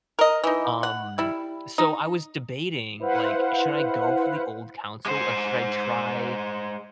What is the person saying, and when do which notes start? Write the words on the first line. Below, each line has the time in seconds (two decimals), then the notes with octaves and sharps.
Um, so I was debating, like, should I go for the old console or should I try
0.19 A#4 D#5
0.44 E3 D#4
0.83 F#5
1.18 G3 E4
1.78 D#4
3.00 E4 B4 C5 F5 F#5
5.06 G#3 C5